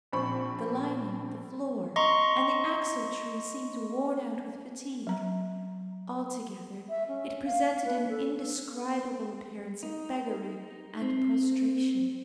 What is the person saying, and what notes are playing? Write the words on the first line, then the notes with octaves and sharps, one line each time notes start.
The lining, the floor, and the axletrees seemed worn out with fatigue. Altogether, it presented an indescribable appearance of beggary and prostration.
A#1 C4 B5 C#6
D#5 A#5 C6 C#6
F#3 A#5
E5
C#4
F5
B4
A4
D#4
C4